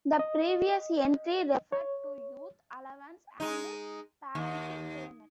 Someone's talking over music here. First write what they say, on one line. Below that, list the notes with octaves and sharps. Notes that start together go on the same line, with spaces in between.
The previous entry referred to Youth allowance and Parenting Payment.
D#5
C#5
G#3 D#4
D#2